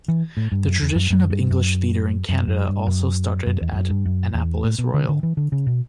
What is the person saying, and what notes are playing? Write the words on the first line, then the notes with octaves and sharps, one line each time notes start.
The tradition of English theatre in Canada also started at Annapolis Royal.
E3
A2
G2
F#2
E2
F#2
F#2
G2
F#2
F#2
F#2
G2
F#2
F#2
E2
E2
F#2
G2
F#2
E2
A2
B2
D3
D3
E3
D3
C#3
B2